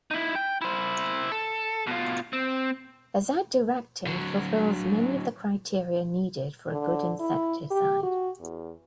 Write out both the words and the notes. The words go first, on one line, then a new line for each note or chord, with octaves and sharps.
Azadirachtin fulfills many of the criteria needed for a good insecticide.
D#4 E4
G5
E4 C5
A4
B2 F4
C4
D3 F#3
D3
E4
G4
F#4
E2